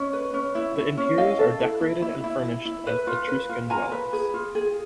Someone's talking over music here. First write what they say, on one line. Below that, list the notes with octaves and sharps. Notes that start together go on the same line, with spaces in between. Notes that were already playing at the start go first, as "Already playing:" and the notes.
The interiors are decorated and furnished as Etruscan dwellings.
Already playing: C#4 D#5
B4
C#4
E4
E4
C#4
E4 D#5 F5
A4
E4
E4
E4
E4
E4
E4
B4
F4
B4
F4
F4 G#5 A#5
B4
G#4
F4
G#4